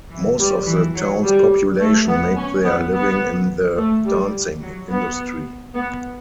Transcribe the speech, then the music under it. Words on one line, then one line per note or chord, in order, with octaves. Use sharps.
Most of the town's population made their living in the dancing industry.
E3
G3
E3
F#3
G3
A3
B3
C#4
B3
B3
A3
G3
F#3
B3
B3